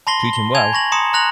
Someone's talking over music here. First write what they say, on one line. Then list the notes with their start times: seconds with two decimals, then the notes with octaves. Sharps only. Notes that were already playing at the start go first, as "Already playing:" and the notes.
Treat him well!
0.07 A5 B5 C6 A#6 C7 G7
0.33 G7
0.55 G#5 A5 G#6 F7
0.73 B5 C#6 A#6 F#7
0.92 A#5 C6 D#6 C#7 E7
1.13 A#5 C6 F#6 A#6 F7 F#7